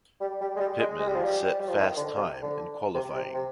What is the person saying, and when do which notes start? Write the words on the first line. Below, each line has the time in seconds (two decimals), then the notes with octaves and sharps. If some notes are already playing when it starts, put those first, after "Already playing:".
Pittman set fast time in qualifying.
0.21 G3
0.41 G3
0.56 G#3
0.60 G3
0.79 G#3
0.99 G#3
1.07 G3
1.16 F3
1.24 G3
1.59 G3
1.69 F3
1.78 D#3
1.97 D3
2.16 C3
2.42 D3
2.94 C3
3.15 C3
3.34 C3